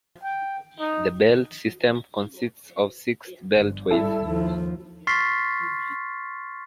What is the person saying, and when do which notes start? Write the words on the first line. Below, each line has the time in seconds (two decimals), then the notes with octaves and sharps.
The Belt System consists of six beltways.
0.23 G5
0.80 D#4
3.56 G1
3.91 G#1 G3 E4 A4
4.22 D#2 F3
5.07 C6 C#6 F6 A6 B6 C7